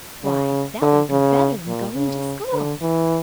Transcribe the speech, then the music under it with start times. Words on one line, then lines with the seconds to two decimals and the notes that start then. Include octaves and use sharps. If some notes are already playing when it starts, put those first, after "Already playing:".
"Why, that will be better than going to school!"
0.24 C#3
0.82 D3
1.10 C#3
1.67 A#2
1.96 C#3
2.53 D3
2.81 E3